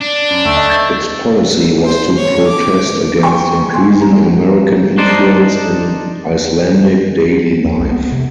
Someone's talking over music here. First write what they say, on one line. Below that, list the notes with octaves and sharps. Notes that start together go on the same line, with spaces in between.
Its policy was to protest against increasing American influence in Icelandic daily life.
D4
F#2 G7
D2 A3
D#5
G6 A6
C5
C#5
D6
G5 G#5 C6 C#6
G#5 C6
B3 A#5
D4 D#4 C5 D5
E2
C2
B3
C3